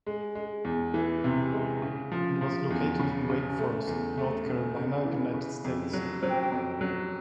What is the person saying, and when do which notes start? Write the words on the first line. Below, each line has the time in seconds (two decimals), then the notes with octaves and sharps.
It was located in Wake Forest, North Carolina, United States.
0.06 G#3
0.35 G#3
0.65 E2
0.94 E3
1.24 C3
1.53 G#3
1.82 C#3
2.12 F3
2.41 F3
2.71 E2
3.00 C#3
3.30 C#3
3.59 A3
3.88 E2
4.17 A3
4.46 C#3
4.76 C#3
5.05 E3
5.34 C#3
5.64 F2
5.93 F#3
6.23 F#3
6.52 F2
6.81 F#3